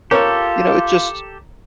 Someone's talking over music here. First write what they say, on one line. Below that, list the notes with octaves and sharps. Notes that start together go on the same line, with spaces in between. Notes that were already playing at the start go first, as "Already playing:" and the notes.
you know, it just
F4 G4 A4 A#4 C#5